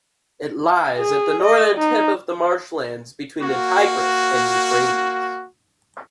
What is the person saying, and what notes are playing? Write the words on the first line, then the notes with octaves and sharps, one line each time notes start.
It lies at the northern tip of the marshlands between the Tigris and Euphrates.
G#4
D#5
D#4
A#3 F#4